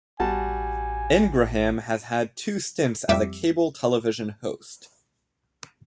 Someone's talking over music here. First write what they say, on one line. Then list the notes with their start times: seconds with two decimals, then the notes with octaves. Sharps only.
Ingraham has had two stints as a cable television host.
0.20 A1 G3 F#4 G#5 A5
3.09 F2 G3 E5 D6